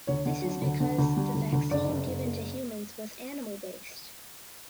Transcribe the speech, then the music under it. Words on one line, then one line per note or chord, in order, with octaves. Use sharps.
This is because the vaccine given to humans was animal based.
D2 C#5
D3
F#3
D2
D3
D2
G3
D2
D2
F#1 D5
F#1
F#1
A#3